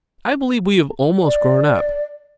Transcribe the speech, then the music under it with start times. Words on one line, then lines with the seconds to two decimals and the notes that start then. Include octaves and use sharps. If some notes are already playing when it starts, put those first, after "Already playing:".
I believe we have almost grown up.
1.22 D5